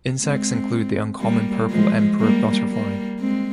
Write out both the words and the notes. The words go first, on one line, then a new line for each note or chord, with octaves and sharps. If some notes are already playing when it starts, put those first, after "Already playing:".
Insects include the uncommon purple emperor butterfly.
G#3 C4
G3 A#3
F3 G#3
G3 A#3
G3 A#3
G#3 C4